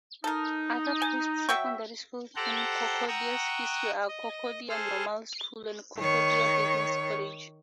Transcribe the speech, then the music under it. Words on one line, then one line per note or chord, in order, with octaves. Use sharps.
Other post-secondary schools in Concordia's history are Concordia Normal School and "Concordia Business College".
D#4 A4 A#4
G#5
F#3 E5 G5 C#6
G4 A4 C5 F#5 G5 A#5
F#5 G5 A#5 C#6 D#6 E6
D#5
G#4 A4 C5 C6 F6
D#3 C#5